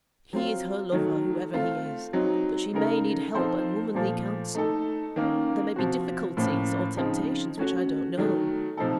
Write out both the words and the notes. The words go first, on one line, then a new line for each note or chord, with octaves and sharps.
He is her lover, whoever he is; but she may need help and womanly counsel;--there may be difficulties or temptations which I don't know.
F#3 C4 F4
D#3 F#3 A3
A3 C4 F4
F#3 C4 D#4
C#3 A3 D#4 A#4
F3 C4 D#4 A4 C5
A#2 F3 A3
A3 D#4 A4
D#3 A#3 C#4
C3 F3 C4 F#4
A2 F3 A#3 C#4
C#3 F3 C4 D#4
A3 C#4 F#4
D#3 F#3 A3
C3 F3 A3 D#4 A4